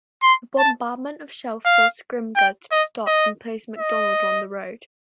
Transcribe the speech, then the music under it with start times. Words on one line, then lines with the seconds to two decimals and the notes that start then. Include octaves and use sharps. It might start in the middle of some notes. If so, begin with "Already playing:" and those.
The bombardment of shell forced Scrimger to stop and place Macdonald on the road.
0.23 C6
0.59 A5
1.66 F5
2.36 G5
2.72 D#5
3.07 D#5
3.78 D#5